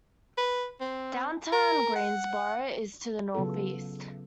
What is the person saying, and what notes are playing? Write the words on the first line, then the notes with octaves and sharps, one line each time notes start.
Downtown Greensboro is to the northeast.
B4
C4
A#4
F#5
C#3 F#3 B3 F4 A4